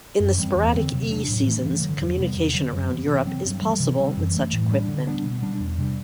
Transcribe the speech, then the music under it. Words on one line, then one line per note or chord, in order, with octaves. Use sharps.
In the Sporadic E seasons communication around Europe is possible with such equipment.
F#2
E3 G3 C4
E2
D3 F#3 C4
C3
F#3 B3 D4
A2
E3 A3
G2
D3 F#3
E2
C3 G3 B3
E2
D3 F#3
F#2
E3 B3
C3
F#3 C4
G2
E3 G3
C3
E3 G3 C4
F#2
E3 A3
A2
G3 D4
D3
G3 B3 D4
B2
G3 D4
E2
C3 G3